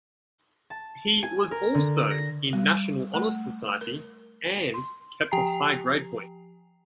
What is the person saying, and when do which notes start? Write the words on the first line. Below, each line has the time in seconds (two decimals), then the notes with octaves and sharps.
He was also in National Honor Society and kept a high grade point.
0.70 A5
1.23 G#5
1.51 A#4
1.75 D3
2.11 A#6
2.53 G3
3.14 A3
3.81 A#4
4.74 C6
5.31 F3 G4 G5 G#5 A#5 C7